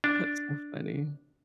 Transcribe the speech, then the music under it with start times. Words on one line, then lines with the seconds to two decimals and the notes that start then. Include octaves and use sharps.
That's so funny.
0.04 D4